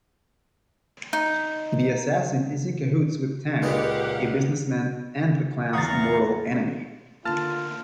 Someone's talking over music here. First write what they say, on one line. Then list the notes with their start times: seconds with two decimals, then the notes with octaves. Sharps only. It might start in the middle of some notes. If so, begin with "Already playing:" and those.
The assassin is in cahoots with Tang, a businessman and the clan's mortal enemy.
1.13 D#4
3.62 C#2 A#2 D#4 G4 B4 F5 F#5
5.73 E2 E3 F5 F#5 A#5 C#6 D#6 A6
7.25 D3 A#3 F4 A5 F6 A6